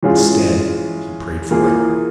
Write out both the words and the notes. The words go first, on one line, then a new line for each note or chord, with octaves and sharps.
Instead he prayed for it.
E3 G#3 C#4 F4 G#4
E3 A#3 F4 G#4